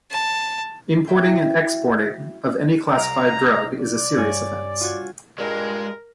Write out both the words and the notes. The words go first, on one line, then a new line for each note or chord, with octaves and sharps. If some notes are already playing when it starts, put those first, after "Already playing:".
Importing and exporting of any classified drug is a serious offence.
A5
F#2 E4 F#4 E5 G5
C2 F5 A#5 D7
D5
G2 C#5 G#5
F4 F#4 G#6
G2 A#2 G#3 A#4